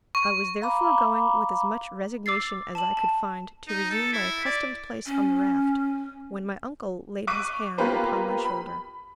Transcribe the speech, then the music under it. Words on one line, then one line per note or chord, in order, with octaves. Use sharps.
I was therefore going with as much resignation as I could find to resume my accustomed place on the raft, when my uncle laid his hand upon my shoulder.
C#6
F5 A#5 B5 D6
D6 E6 A6 C7
A5 F#7
A5
D#4
A4
E4
D5
C#4
C#6 D6 F#6 B6 D7 D#7
A#3 B3 F4 G4 B4 C5
B5